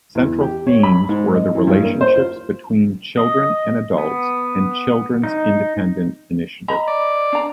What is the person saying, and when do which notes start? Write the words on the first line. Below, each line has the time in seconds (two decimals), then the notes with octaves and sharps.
Central themes were the relationships between children and adults and children's independent initiative.
0.15 E2
0.41 G4
0.67 C#5
0.83 B5
1.09 G#2
1.35 D#5
1.55 E3
1.67 G2
1.83 A#3
2.01 C5
2.16 F4
3.17 D#5
3.98 B3
5.23 D#4
6.68 D#5 A#5 B5
6.88 D5
7.33 D4 A#5